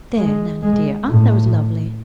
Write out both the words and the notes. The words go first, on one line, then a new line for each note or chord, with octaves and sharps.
There, Nannie dear, aren't those lovely?
G#3
G#3
A2